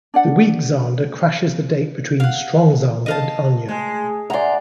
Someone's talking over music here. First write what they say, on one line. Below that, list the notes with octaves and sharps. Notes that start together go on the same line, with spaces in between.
The weak Xander crashes the date between strong Xander and Anya.
D4 D5 F#5
F5 F#5
D#5 F5 A5
G#3 A3 G#5
A#2 D5 E5 F#5 G#5 A#5 C6